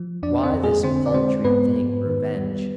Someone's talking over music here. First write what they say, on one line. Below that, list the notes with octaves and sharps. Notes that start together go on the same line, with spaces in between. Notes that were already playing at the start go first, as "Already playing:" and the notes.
Why this paltry thing, revenge?
Already playing: F3
F2 D4 D5
C4 C5
F2
G#3 G#4
D3 C4 C5
D5
G#3 C4 C5
G#2 B3 B4
G#2
D#3
G3